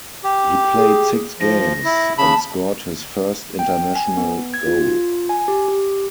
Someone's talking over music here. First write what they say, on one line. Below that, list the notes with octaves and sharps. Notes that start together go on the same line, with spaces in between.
He played six games, and scored his first international goal.
G4
G#4
F3 A#6
E4
C#3 A5 B5
G5
G#5
B3
G#6
F4
G#5
G4
G4